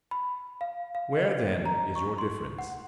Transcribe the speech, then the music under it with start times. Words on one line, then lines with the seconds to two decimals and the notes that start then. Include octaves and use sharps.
Where, then, is your difference?
0.11 B5
0.61 F5
0.95 F5
1.17 D#5
1.66 A#5
1.96 C#6
2.18 C6
2.59 F#5